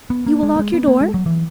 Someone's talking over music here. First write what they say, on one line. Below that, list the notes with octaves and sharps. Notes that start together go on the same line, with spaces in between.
You will lock your door?'
B3
A#3
G#3
A#3
G#3
B3
A#3
G#3
F#3
E3